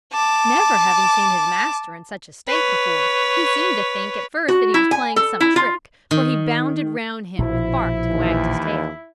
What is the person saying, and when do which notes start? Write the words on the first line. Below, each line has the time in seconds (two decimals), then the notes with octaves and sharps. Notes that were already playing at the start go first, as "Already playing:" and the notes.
Never having seen his master in such a state before he seemed to think at first that he was playing some trick, for he bounded round him, and barked, and wagged his tail.
0.13 A5 D6
2.48 B4 C#5
4.48 F#4
4.74 E4
4.91 G#5
5.16 A4
5.40 E4
5.56 F4
6.11 D#3
7.38 A#1 B2 F3 E4
8.09 D#2 E3